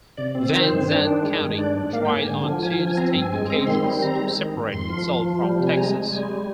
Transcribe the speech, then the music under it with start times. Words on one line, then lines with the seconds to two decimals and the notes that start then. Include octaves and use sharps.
Van Zandt County tried on two distinct occasions to separate itself from Texas.
0.17 C3 D5
0.35 C4
0.52 D#3 C5
0.71 G2
0.89 D4
1.05 D#3
1.23 G#3
1.40 G2
1.58 D4 D5
1.75 G#2
1.93 A#3 F5
2.05 G5
2.10 G#2
2.16 G#5
2.28 D3
2.45 F3
2.63 F3 G#5
2.80 F3
2.87 G#5
2.97 C4 A#5
3.15 G2
3.21 G#5
3.32 G#3 G#5
3.50 C4 A#5
3.67 D#3 C6
3.85 G3
4.02 C4 A#5
4.20 G#3
4.38 D#3
4.56 G#2
4.73 F2 C6
4.90 F3
5.07 F3
5.24 F3
5.43 G3
5.60 C3
5.67 G#5
5.77 G#3 A#5
5.95 G#3
6.13 G3 G#5
6.29 G3